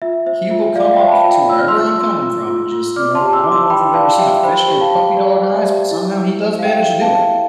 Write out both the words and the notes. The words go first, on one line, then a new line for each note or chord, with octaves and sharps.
he will come up to wherever I'm coming from and just, you know, I don't know if you've ever seen a fish give puppy dog eyes, but somehow he does manage to do it,
F4 E5
C5 E5
F4 E5
F4 D5 F5
F5
E5 G5
C5
A5
G5 B5
F4
G5 B5
F4 E6
F6
C6 E6
F4
F4
F4
F4
F4
D5 D6 F6
A5 C6
G4
C6 E6
E4 D6
A5 C6
E4 G5 B5
D5 F5 A5
G4 E5 G5
C5 G5 B5
G4
F5 A5
C5
G4 D5
C5
D5
E5
G4
E4
E4
C5
F5
A4 E5 G5
E4
F5 A5
E4